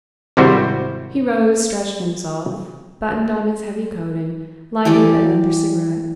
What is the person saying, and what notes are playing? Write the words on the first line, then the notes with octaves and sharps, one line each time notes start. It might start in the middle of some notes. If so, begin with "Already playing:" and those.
He rose, stretched himself, buttoned on his heavy coat and lighted another cigarette.
G#1 C3 G3 E4 F#4 C5
E3 G3 G4 D5